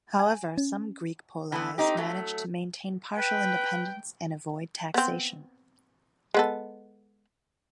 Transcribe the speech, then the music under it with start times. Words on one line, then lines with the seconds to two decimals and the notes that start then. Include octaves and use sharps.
However, some Greek poleis managed to maintain partial independence and avoid taxation.
0.19 G#5
0.58 C#4
1.52 E3 A3 B3
1.78 C4 D#4 G4
1.97 F#3 A3
3.18 B4 G5
4.94 B3 C4
6.34 G#3 B3 A4